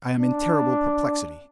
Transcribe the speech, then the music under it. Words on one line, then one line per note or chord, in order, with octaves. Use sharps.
I am in terrible perplexity.
D4